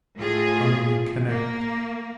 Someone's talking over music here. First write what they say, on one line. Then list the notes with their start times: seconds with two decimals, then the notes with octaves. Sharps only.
Only connect!
0.17 A2 F4 G#4
1.28 A#3